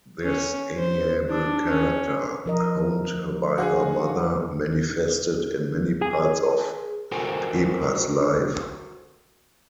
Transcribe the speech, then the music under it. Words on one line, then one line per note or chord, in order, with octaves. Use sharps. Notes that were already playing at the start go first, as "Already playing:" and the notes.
This amiable character honed by her mother manifested in many parts of Pepa's life.
C#4
C5
D4
C#4
F3 A#4 D#5
F#4 G#4 F5 F#5
G#4 G#5
F#4 A4 A#4 C5 G5 G#5